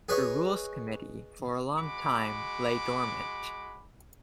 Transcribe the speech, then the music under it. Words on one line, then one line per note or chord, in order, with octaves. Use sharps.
The Rules Committee, for a long time, lay dormant.
G#4 B4 C#5 D#5
G#3 F#4 B5 D6